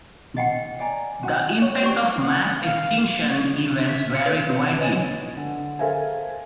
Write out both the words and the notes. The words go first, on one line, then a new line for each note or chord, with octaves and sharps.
The impact of mass extinction events varied widely.
D#5 F#5 G5
D5 G#5 A#5
C#4 F#4 F#5
C#5
G4 D5 C#6
F#5
F5
E5
F4 C#7
B4
B4 C#5 D#5 G#5 A6
D3
A4 A#4 C5 E5 F5 G#5